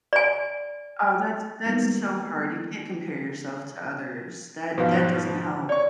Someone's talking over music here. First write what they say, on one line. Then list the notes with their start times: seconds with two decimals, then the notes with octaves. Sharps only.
Oh, that's that's so hard. You can't compare yourself to others. That that doesn't help
0.13 D5 G#5
1.65 D#3 G3 G#3 A#3 B3
4.78 G#2 B2 F3 B4 F5
4.95 C5
5.69 C#5 D5 C#6